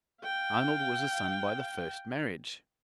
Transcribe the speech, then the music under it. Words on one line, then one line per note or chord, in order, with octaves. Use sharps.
Arnold was a son by the first marriage.
F5 G5